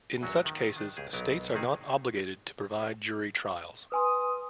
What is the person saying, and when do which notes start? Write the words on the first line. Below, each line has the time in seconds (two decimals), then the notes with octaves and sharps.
In such cases, states are not obligated to provide jury trials.
0.21 A#1 E2 F#3 C#4 F#4
0.45 D#3
0.76 D#3 D4
0.97 C#2 G4 G#4
1.13 B1 F#3 B3 A#4
1.54 G#1 C3 D#3 D#4 G#4 A5
3.92 B4 G#5 C6 D#6